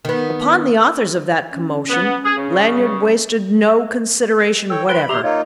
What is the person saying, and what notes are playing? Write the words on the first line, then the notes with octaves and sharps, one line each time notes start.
Upon the authors of that commotion Lanyard wasted no consideration whatever.
D#3 B3
C#4
B3
G#4
C#3
G3
A4 C#5 G5
B4 G5 B5 C6
G4 E5 A#5 C6
A#3 D#4 F4 C#5